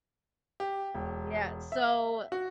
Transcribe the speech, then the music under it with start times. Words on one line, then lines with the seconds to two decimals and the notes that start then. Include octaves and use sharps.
Yeah, so
0.60 G4
0.95 E1
1.72 E5
2.32 F#4